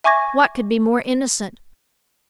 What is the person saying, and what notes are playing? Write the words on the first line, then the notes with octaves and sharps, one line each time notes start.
What could be more innocent?
E5 G#5 C#6 D6 G#6 A#6